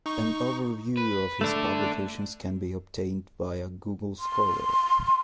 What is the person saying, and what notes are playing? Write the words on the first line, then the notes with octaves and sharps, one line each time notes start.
An overview of his publications can be obtained via Google Scholar.
D#4 C#6
B4
A3 D4 A4 D5
C6